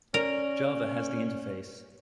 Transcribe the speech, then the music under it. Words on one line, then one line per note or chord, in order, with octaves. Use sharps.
Java has the interface.
C#4 A#4 D5 D7 F7